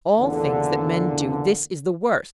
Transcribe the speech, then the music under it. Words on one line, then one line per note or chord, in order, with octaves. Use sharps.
Of all things that men do this is the worst.
A1 E2 A#2 D3